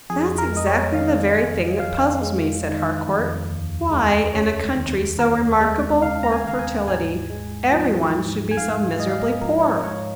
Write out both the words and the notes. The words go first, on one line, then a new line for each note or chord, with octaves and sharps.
"That's exactly the very thing that puzzles me," said Harcourt, "why, in a country so remarkable for fertility, every one should be so miserably poor!"
F2 G#4
A#4
G#3 D#5
C#5
D#3 F5
F2 G#5
F2 F5
G#3
D#3
F2
D#2
G#3
C#3 C#5
D#2
D#2 A#4
G#3
C#3 F5
A#5
G#5
D#2 F5
G#5
G#2 G#5
G#3
F3
G#2
G#5
G#2 F5
G#3 D#5
F5
D#5
F3 A#4
C#5
A#4
G#2 C#5